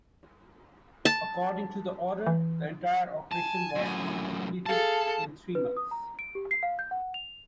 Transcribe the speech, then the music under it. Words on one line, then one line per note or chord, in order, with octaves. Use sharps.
According to the Order, the entire operation was to be completed in three months.
A5
E3
G#5 A5
F#2 A2
G#4 A4 F5 A5
B4
D#6
A#5
D7
G4
C7
F5
G6
F#5
F7